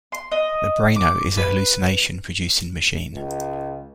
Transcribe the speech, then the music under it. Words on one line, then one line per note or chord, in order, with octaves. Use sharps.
The braino is a hallucination-producing machine.
C6
D#5
D6
B4
C#2